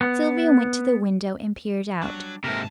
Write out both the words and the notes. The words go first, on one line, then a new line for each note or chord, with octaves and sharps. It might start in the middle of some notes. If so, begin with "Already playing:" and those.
Sylvia went to the window and peered out.
B3
F#3 G3 D4
F2 G#2 C3 A#3 A4 A#4 E5 A5